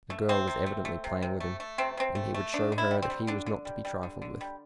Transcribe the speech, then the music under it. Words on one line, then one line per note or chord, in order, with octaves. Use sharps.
The girl was evidently playing with him, and he would show her that he was not to be trifled with.
A3
C3 C4
C3
A3
A3
C3
C3
A3
A3
C3 C4
C3 C4
A3
A3
D3 D4
D3
E4
G3
C4
G3
D3 D4
D3
G3
G3
D3
D3
G3